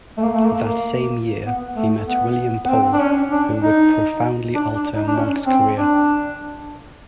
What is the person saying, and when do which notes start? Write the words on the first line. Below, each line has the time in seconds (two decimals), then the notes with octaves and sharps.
That same year, he met William Poel, who would profoundly alter Monck's career.
0.18 A3
0.23 A#3
0.34 A3
0.43 A#3
0.64 A#3
1.46 B3
1.76 A3
2.07 B3
2.65 B3
2.69 C4
2.93 D4
3.00 C#4
3.32 D4
3.62 D#4
4.55 D4
4.75 D4
4.95 D#4
5.08 D4
5.16 C#4
5.46 C4
5.77 D4